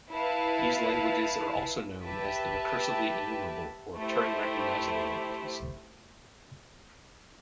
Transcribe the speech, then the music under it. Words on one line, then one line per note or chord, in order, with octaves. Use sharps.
These languages are also known as the "recursively enumerable" or "Turing-recognizable" languages.
E4 B4 F5 A5
G4 B4 E5 A5
A3 E4 G4 C5